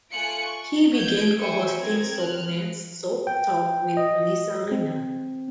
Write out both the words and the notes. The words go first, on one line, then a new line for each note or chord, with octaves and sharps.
He began co-hosting Soapnet's "Soap Talk" with Lisa Rinna.
A3 F4 G#5 F#6 C#7 D7
C#6
G6 G#6
C5 E5 G5 G#5 C#6
C4 A#4 G#6
F6 F#6
G5
D#5
C4